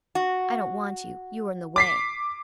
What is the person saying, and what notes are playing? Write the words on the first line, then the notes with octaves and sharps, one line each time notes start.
"I don't want you, you are in the way."
F#4
D6 B6 C7